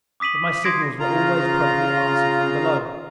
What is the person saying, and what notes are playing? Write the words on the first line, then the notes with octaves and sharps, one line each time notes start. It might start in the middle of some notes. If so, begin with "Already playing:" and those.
But my signals were always promptly answered from below.
D6 D#6 B6 D#7 F#7
C6 D#6 G#6 A#6 C7 D7
C#3 F4 A#5